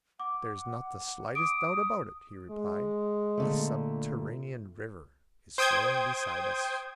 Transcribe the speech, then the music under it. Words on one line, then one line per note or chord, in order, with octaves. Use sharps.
"There's not the slightest doubt about it," he replied, "a subterranean river is flowing beside us."
F#5 D6
D6 D#6 D7
G#3
A#2 D3 A3
C5 G5 D#6 G6 G#6